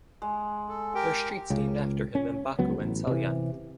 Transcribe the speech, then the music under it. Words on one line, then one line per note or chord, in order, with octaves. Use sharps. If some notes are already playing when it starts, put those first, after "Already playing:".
There are streets named after him in Baku and Salyan.
G#3
A4
G4 A#4 G5
C#2 C#3
C#4
C#2 F#3 B3
A1
C3 E3